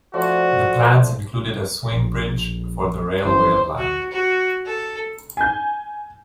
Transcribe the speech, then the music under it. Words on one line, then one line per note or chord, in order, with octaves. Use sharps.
The plans included a swing bridge for the railway line.
F3 A3 F#4 D5
A#1
G1 E3 C#4 C5
F#4
F#4
A4
G#5 G6